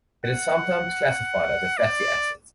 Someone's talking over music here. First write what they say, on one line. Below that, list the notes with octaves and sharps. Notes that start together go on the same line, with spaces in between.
It is sometimes classified as a fatty acid.
F#5
D5